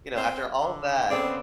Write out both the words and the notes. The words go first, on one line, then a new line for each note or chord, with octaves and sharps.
you know, "After all that,"
C4
D3
C#3 B3 C4 G#4 A4 D5